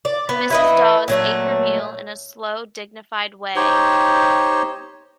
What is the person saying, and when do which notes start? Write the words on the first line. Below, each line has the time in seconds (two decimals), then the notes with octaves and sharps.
Mrs. Dawes ate her meal in a slow, dignified way.
0.05 D5
0.29 B3
0.50 E4 B4 D#5
1.08 A#2 F#3 A3
3.56 D#4 G4 C5 C#5